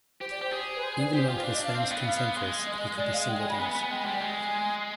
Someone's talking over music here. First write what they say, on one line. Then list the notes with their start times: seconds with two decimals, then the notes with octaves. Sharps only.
Even among his famous contemporaries he could be singled out.
0.21 G4 C5
0.31 D5
0.41 G4 C5
0.51 G#4
0.76 B4
0.83 C5
0.98 D5
1.13 G4 C5
1.28 F4
1.44 D4 F5
1.54 D#5
1.65 F5
1.75 C4
1.90 B3
2.06 F5
2.36 G#3
2.67 D#5
2.78 D#5
2.98 G#3 D5
3.14 F5
3.28 G5
3.39 G#5
3.50 B5
3.53 G#3
3.59 B3 G#5
3.70 B5
3.75 B3 G#5
3.91 G#3 G5
4.00 G#5
4.06 G3
4.11 G5
4.20 G#3
4.36 G#5